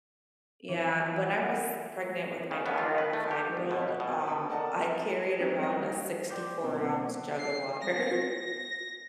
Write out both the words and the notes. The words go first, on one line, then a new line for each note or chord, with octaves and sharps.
Yeah, when I was pregnant with my daughter- I have a five-year-old- um, I carried around a sixty-four-ounce jug of water.
E3
F4
F#5
E5
C#3
B3
F4
B4
A3
G4
G#1
B2
B2
G5 A5 B5 D#6
A4 A#4 D5 D#5 F#5 A5
F3 G#3 C4 C#4 D#4 G4
G3 F#4 A#6
C5 D5 G5 D6 G6
B2 F#3 A#3 C4
C7
A#6